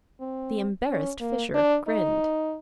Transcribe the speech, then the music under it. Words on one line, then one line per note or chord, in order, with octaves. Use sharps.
The embarrassed Fisher grinned.
C4
C#4
A#3
D4
D#4